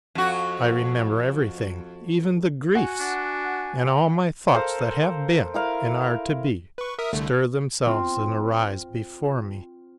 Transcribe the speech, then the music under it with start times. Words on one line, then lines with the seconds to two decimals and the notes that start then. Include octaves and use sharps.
I remember everything, even the griefs, and all my thoughts that have been and are to be bestir themselves and arise before me.
0.15 F2 F#4
2.75 F#4 F#5 G#5
3.00 D4
4.54 A4 A#4 C5 F5
5.54 E4 A#4 F5
6.78 B4 C#6
6.99 A#4 E5 D#6
7.13 C2 D3 A3
7.86 C4 F4